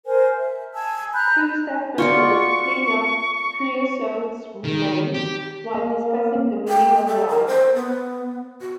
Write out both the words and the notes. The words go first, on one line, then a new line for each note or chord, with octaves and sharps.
Two staff members clean up Creosote's remains while discussing the meaning of life.
A#4 C5 G#5
E5
G#5 A5 E6
A#5 B5 F#6 G6
F4 F#4 D5 C#6
D#3
G4
A#3
G5
A4
A#4
C5
B3
F#4